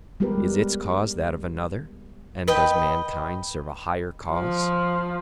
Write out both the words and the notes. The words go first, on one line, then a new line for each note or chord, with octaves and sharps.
Is its cause that of another, and does mankind serve a higher cause?
G3 G#3 B3 G4 A#4 B4
B4 D#5 G5
F3